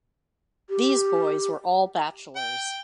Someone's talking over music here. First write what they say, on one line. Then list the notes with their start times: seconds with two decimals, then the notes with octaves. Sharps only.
These boys were all bachelors.
0.70 G4
2.36 G5